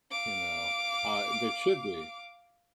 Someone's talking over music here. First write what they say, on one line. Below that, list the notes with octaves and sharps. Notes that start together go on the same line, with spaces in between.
You know, uh, that should be.
F5 D6